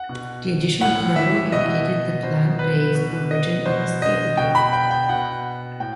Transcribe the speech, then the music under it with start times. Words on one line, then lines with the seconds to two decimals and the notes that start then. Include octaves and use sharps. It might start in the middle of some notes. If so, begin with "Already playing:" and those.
The addition of “herbal” indicated the plant based origin unmistakably.
Already playing: F#5
0.09 B2
0.81 A2 F#5
1.16 E3 E5
1.52 B2 D#5
2.23 B2 C5
2.59 B4
2.95 B2 B4
3.31 D#5
3.66 B2 C5
4.02 D#5
4.37 B2 G5
4.55 B5
4.73 G5
4.91 G5
5.09 B2 F#5
5.80 A2 G5